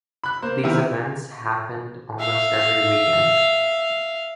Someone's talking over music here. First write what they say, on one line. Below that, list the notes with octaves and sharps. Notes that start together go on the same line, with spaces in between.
These events happened almost every weekend.
B5 F#6
A#3 C5
C3 D#3 B3 E4
E5 F5